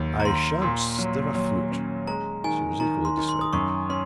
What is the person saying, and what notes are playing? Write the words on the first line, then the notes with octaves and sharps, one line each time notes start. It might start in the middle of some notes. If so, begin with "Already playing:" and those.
"I shan't stir a foot." She was equally decided.
Already playing: D#2 D#3 F#3
A#5
D#2 C6
A#2
F#3
F#3
C#4
G#3 A#5
D#3 G#5
D#3 A#5
C6
D#3
C6
D#6
F#2 C#6
C#4 C6